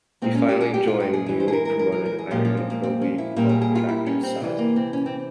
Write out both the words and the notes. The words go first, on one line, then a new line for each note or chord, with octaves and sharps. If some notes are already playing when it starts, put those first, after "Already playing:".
He finally joined newly promoted Iran Pro League club Tractor Sazi.
A#2 G#3 C4
C#4
G4
G#4
G4
F4
G4
G#4
E3 G#3
C5
G#4
A#4
A#4
A#4
A#4
A#4
G#4
A#2 F3 G#3 G4
F4
C4
A#3
C4
C#4
E4
A#2 G3 A#3
G#4
G#4
F4
E4
C#4
C4
C3 E3 G3
A#3
C4
C#4
C4